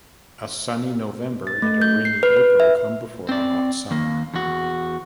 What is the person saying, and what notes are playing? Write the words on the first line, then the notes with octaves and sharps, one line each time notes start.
A sunny November and a rainy April come before a hot summer.
A6
A3
G6
C7
B4
B4
E5
C4 D5
D#2 A#3
E2 F#4